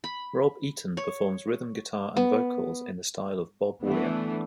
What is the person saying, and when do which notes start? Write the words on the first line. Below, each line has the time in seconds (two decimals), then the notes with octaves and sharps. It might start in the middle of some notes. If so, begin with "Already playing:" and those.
Rob Eaton performs rhythm guitar and vocals in the style of Bob Weir.
0.04 B5
0.97 C#5
2.17 B3
3.84 E3 A3 B3 D4